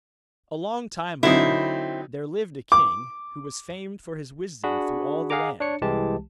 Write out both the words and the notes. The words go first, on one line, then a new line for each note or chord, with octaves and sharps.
A long time ago there lived a king who was famed for his wisdom through all the land.
D3 F#3 C4 D#4 E4
D6
D4 F#4 G#4 B5
G#4 F5 F#5 G#5 A#5 D6
D4 C#5 C#7
C2 E3 G#3 G4 A5